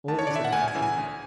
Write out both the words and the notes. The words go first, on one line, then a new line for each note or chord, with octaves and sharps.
All was now confusion.
D2 A5
C#5
D5
D3 E5
F#5
D2 G#5
G#5
C#3 E3
G#5
D2